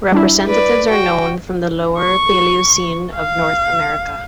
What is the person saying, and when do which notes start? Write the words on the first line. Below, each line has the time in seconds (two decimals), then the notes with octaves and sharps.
Representatives are known from the Lower Paleocene of North America.
0.12 G3 D4 E4
0.47 B4 D5
0.90 F#4 G5
1.98 C#6
3.14 F5